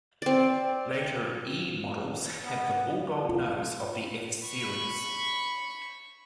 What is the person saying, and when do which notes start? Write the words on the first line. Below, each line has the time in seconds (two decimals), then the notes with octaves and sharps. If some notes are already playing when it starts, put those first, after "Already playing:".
Later E models had the "bulldog nose" of the F series.
0.22 C4 D5
2.45 B3
3.29 F4
4.47 B5 C#6